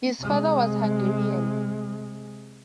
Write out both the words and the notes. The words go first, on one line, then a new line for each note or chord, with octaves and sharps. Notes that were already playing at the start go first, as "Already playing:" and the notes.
His father was Hungarian.
C3 G#3